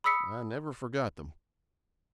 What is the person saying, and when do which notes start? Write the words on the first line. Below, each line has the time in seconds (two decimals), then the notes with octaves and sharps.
I never forgot them.
0.04 B5 D#6 E6 B6 C#7